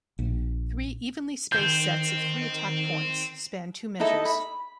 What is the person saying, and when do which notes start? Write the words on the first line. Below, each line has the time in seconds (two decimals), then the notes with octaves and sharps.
Three evenly spaced sets of three attack-points span two measures.
0.19 A#1
1.52 D#3 C4 G6
4.00 D#4 E4 A4 D#5
4.25 B5